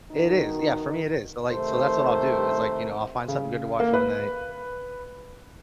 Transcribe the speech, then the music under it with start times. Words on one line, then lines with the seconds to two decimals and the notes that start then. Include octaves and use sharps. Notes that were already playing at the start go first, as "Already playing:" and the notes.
It is yeah, for me, it is, so like so, that's what I'll do is, like, you know, I'll find something good to watch for the night,
0.12 B2 D#3 D#4
1.51 C3 D#3 A3 A#4 C5
3.28 C#3
3.80 A#3
3.94 B4